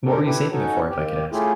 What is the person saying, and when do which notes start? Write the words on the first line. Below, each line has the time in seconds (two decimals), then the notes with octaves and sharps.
What were you saving it for, if I could ask?
0.06 C#4 D4 G4 A4 A#4
0.25 E4 G4 A4 B4 A5
0.52 C#4 D#4 F#4 A4 C#5
0.89 D#2 G4
1.32 A3 C#4 E4 F4 G4 G#4